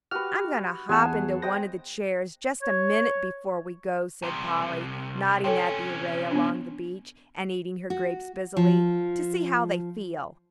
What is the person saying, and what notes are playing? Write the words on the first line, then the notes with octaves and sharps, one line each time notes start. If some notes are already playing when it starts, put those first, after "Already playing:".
"I'm going to hop into one of the chairs just a minute before we go," said Polly, nodding at the array along the beach, and eating her grapes busily, "to see how they feel."
F#4 G4 B4 F6
E2 G#4 F#5 G#5 A5 E7
C5 D#5 G5 A#6
C#5
C2 C3
C3 C#4 A4 C#5 G5
B3 D4
F#4
F3